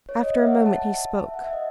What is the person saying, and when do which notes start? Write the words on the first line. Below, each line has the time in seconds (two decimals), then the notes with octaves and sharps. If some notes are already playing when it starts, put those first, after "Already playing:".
After a moment he spoke.
0.09 C#5
0.23 D#5
0.37 E5
0.47 F#5
0.57 F#5
0.66 A5
1.24 E5
1.34 F#5
1.44 E5
1.53 D#5